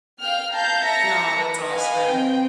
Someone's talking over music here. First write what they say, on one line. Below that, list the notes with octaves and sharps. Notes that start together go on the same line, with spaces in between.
Aw, that's awesome.
F5 G5 F6
F5 A5 A#5 G6
E5 A5 A#5 A#6 C#7
A#4 B4
B4 D#5 F5 G#5
C4 G5